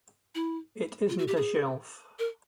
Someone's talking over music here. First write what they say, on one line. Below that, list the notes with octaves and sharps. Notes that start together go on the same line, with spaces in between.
It isn’t a shelf.
E4
F4
F#4
G4
G#4
A#4